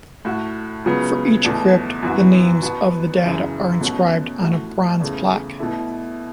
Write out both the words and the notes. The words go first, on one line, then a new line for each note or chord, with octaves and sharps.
For each crypt the names of the dead are inscribed on a bronze plaque.
A2 A3 F#4
C#2 C#3 F#3 B3
E2 B2 A3
F#2 E3 B3 F#4
B2 B3 F#4
F#2 C#3 E3
B2 A3 C#4 F#4
A2 A3 F#4
E2 C#3 A3
B2 A3 E4